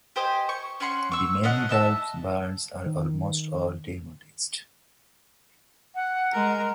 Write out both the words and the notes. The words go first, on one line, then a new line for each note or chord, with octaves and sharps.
The many bulbs barns are almost all demolished.
G4 C5 D#5 G#5
C#6
C#4 F#5 C6 C#6
C#6 E6
C#4 D4 D#5 F#5
D#5 E5 A5
D#3
F#5
G#3 A#4